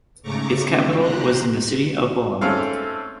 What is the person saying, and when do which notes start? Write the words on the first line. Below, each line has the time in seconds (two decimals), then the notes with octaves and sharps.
Its capital was in the city of Bolama.
0.23 G#2 C#3 A3 A#5 C#6 D6
0.68 A3 C4 D4 F4 G4
0.97 C3 G4 C5 A#5 F#6
2.41 G#2 A3 C4 C#4 A4 F5